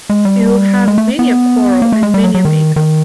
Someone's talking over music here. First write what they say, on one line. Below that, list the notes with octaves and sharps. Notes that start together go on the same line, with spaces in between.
You will have many a quarrel and many a makeup.
G#3
G3
G#3
A3
B3
A#3
A3
G#3
G3
F#3
F#3
D#3
D#3